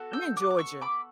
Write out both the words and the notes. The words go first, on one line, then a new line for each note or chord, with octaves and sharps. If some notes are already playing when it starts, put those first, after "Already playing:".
I'm in Georgia.
Already playing: B3 F#4 A4
E6 G6
D6 F#6
D6
C#6 E6
B5 D6